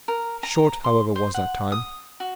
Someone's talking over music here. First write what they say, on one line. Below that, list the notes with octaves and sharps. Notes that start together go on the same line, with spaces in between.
Short, however, was that time.
A#4
A#5
C6
C5
F#5
D#6
F#4